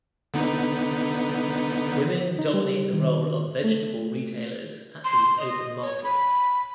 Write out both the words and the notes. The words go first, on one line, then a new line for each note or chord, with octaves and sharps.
Women dominate the role of vegetable retailers at these open markets.
D3 B3 D#4
D#4
G3
D#3
A3
C6
D#5
C#5
B5